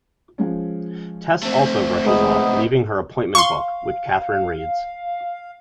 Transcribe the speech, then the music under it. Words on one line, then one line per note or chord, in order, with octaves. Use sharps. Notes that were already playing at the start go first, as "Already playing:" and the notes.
Tess also rushes off, leaving her appointment book, which Katharine reads.
F3 G#3 C#4
A3 C4
G#3 B3 D#4
F5 C6 C#6